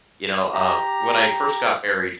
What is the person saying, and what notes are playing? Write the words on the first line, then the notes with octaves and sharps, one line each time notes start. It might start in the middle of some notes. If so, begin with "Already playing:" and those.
You know, um, when I first got married,
G4 A#5